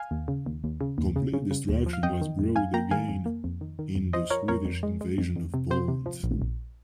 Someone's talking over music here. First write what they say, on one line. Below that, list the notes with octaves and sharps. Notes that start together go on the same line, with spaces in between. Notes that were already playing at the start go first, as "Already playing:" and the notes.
Complete destruction was brought again in the Swedish invasion of Poland.
Already playing: F5 G#5
D#2
C#3
D#2
D#2
C#3
D#2
C#3
C#3
C#3
D#2
F3
F5
F2 D#5 G5
D#3
F2
F2 F5 G#5
A#3 G5 A#5
D#3 F5 G#5
F2
A#3
F2
D#3
D#3
F2
F3 C5 D#5
F3 A#4 C#5
F2 A#4 C#5
F2
G#3
G#3
F2
F2
C3
C3 C5
C3
F3
A#1
A#1